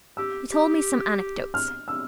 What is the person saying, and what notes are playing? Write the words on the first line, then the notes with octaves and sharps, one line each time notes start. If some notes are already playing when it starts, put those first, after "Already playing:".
He told me some anecdotes.
G4 E6
G4
F6
E6